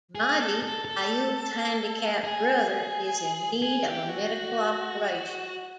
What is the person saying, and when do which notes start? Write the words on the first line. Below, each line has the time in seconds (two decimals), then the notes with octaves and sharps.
"Madi", Ayoub's handicapped brother, is in need of a medical operation.
0.15 G#4
0.39 A4
0.62 A4
0.85 A4
2.24 G#4
3.62 G#4
3.87 G4
4.09 F#4